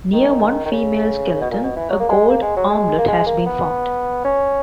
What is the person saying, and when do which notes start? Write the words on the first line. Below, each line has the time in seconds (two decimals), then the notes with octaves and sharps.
Near one female skeleton, a gold armlet has been found.
0.13 D#3
0.65 D#3
0.71 C#3
1.41 B2
1.51 A#2
1.64 B2
1.76 E3
1.90 F#3
2.00 A#3
2.10 G#3
2.29 A#3
2.42 G#3
2.56 F#3
2.69 G#3
2.98 A#3
3.08 G#3
3.26 A#3
3.46 B3
4.25 C#4